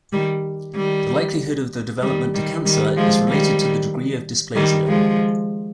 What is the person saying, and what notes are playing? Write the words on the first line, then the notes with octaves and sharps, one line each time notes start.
The likelihood of the development to cancer is related to the degree of dysplasia.
D#3 G3
D#3 G3
D#3 G3
D#3 G3
D#3 G3
F3 G#3
D#3 G3
D#3 G3
F3 G#3